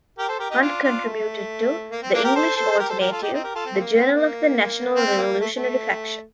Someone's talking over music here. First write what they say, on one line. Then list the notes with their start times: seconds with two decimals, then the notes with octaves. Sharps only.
Hunt contributed to "The English Alternative", the journal of the National Revolutionary Faction.
0.18 G4 A#4
0.28 A4 C5
0.39 G4 A#4
0.50 D#4 G4
0.61 D4 F4
0.83 D4 F4
1.05 A3
1.91 A#3
2.03 C4
2.14 A#3 D4
2.24 G4 A#4
2.35 A4 C5
2.56 A4 C5
2.71 C5
2.79 G4 A#4
2.89 A4 C5
3.00 G4 A#4
3.11 F4 A4
3.22 D#4 G4
3.33 C4 D#4
3.44 G4 A#4
3.55 F4 A4
3.65 C4
3.74 A3
3.80 A#3
3.95 C4
4.10 A#3
4.96 C4
5.17 A#3
5.40 A3
5.56 A3